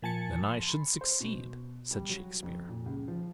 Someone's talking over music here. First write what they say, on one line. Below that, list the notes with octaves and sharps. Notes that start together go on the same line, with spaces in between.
"Then I should succeed," said Shakespeare.
A#2 F3 G#5 A5 A6 C#7
B5 C6
C5
B2
G3
F#3
F2
A#2
C#2
F3